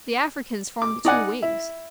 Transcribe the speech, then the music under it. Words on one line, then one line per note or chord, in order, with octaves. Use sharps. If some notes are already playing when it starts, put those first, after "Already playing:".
The Africans formed the two wings.
D6
D#4 D5 F#5 G#5
E4